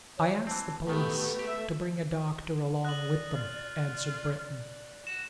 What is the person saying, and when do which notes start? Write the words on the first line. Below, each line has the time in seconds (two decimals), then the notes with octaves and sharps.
"I asked the police to bring a doctor along with them," answered Breton.
0.18 C#5
0.47 E3 C4 A5
0.87 A2 D#3 A3 B3 F#4 G4 B4
1.39 A3 G4 E5
2.85 D5 D#5 F#6 F#7
3.34 F4
5.07 F#4 E7